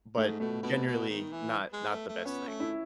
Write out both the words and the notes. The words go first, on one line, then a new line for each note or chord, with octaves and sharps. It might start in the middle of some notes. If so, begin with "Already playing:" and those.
but generally not not the best thing.
G#2 A3
B2 A3
B2 B3
B2
D#3
E3
G#3
A3
A3
B3 C#4
A3
E4